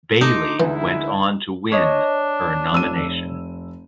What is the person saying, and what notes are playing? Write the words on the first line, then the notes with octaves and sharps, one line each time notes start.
Bailey went on to win her nomination.
A3 D#4 C6 D6
D2 D3 E3 G#3 E4
D4 C#5 D#5
F1 E6 D#7